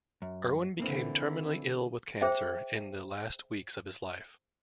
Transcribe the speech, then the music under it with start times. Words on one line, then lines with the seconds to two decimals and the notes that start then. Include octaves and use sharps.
Irwin became terminally ill with cancer in the last weeks of his life.
0.22 F#2
0.80 D3 E3 A#3 C4 D4
2.21 G#4 C5 E5 G5